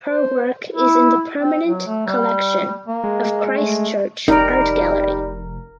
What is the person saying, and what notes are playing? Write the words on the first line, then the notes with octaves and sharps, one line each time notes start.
Her work is in the permanent collection of Christchurch Art Gallery.
C5
E4
C4
F#3
A3
G3
A#3
G#3
A3
F1 G3 D#4 A#4 D5